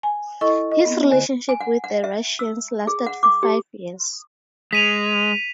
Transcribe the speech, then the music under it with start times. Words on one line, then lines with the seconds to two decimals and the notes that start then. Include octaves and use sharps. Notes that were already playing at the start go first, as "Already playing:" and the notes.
His relationship with the Russians lasted for five years.
0.03 G#5
0.41 E4 A4 D#5 C#6
0.72 D#5
0.85 B3 C4
1.10 D3 C5 G#5
1.49 G#5
1.61 F#5
1.84 F#5
2.04 E5
2.39 E6
2.87 G#4
3.06 F#5
3.23 D6
3.43 G4
4.73 G#3 B6 D#7 F7